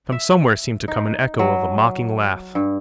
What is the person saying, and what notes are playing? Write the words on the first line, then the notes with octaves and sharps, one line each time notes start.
From somewhere seemed to come an echo of a mocking laugh.
E5
D#4
F#3
G2